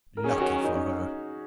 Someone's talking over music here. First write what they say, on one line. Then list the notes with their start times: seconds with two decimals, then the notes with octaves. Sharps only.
Lucky for her!
0.17 A#4
0.24 D#3 F#3 C#4 G#4
0.40 F#4
0.65 D#4
0.75 C#4